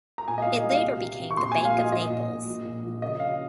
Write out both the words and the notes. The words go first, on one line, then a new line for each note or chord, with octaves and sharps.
It later became the Bank of Naples.
A#5
A#2 G#5
D#5
A#2 F5
D#5
C2
F5
C3
C3
C3
C#6
A#2 C6
G#5
A#1
F5
A#1
D#5
A#2 D#5
A#2
A#2
A#1
A#2
A#1
C#3 D#5
C#3 F5